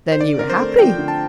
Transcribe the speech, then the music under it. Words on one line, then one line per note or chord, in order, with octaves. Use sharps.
"Then you were happy."
C5
D3 D5
C4 A#4
C5
A3
F3 G5
D3
A5